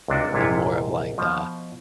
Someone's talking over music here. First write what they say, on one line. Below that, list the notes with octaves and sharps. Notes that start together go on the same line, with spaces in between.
in more of like the
C#2 C3 D4 F#4
A#1 G#2 C3 E4 F4 C#5
B2 F3